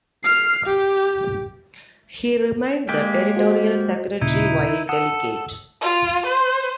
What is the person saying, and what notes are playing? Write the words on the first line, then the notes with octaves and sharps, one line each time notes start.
He remained the Territorial Secretary while Delegate.
F6 C7
G4
G#3 A#3 G4
F#4 C5 D#5
D#2 A#2 C#3 D#4 E4
A4 F#5 D#6 E6
F4
C5